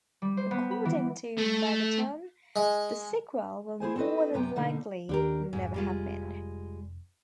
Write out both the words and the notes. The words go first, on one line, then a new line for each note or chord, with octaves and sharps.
According to Megaton, the sequel will more than likely never happen.
G3
C5
B3
B5
E3
A3
G#3
E4 G#4 C5 G#5
C4 F#4 A4 B4 D#5
F#2 C3 B3 B4 G5 A#5
B2 D3 A#3 D#4
D#2 D4 G4 A#4
F1 G#2
G3 G#3 F4